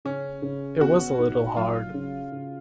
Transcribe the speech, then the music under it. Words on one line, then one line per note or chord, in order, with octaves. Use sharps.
It was a little hard.
C#3 C#4
C#3
B3 F#4
D#4
F#3 F4
C#3
C#3